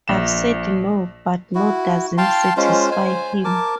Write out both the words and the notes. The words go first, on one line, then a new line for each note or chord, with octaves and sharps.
I've said no, but no doesn't satisfy him.
A#1 E7
E4 F#4
F5 G5 A5 C6
G#3 C#4 F4 C5
C5 G#5
A#4 A5 D6